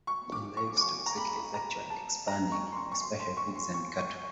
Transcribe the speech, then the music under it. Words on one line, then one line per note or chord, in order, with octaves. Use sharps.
The livestock sector is actually expanding, especially pigs and cattle.
C#6
D6
C#6
D6
C#6
A#5
B5
A#5
A5
A#5
C#6
C6
C#6
C#6
C6
C6
C#6
C6
C#6
C#6